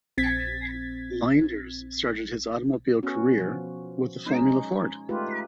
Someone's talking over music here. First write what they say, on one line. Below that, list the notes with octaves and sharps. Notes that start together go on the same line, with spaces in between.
Leinders started his automobile career with the Formula Ford.
A#1 C4 G#6 A6 B6
B3 C#4 F#4
B2 F3
G#3 C#4 D#4
G#3 A3 D#4 F4 G4 B4